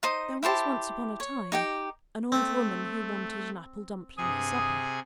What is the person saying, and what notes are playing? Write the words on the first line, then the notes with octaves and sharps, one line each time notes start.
There was once upon a time an old woman who wanted an apple dumpling for supper.
D#4 C5 D#6
E4 G4 C5 A5
C#5
D#4 G4 G5
A3 C4
G2 C3 G#4 G#5 D#6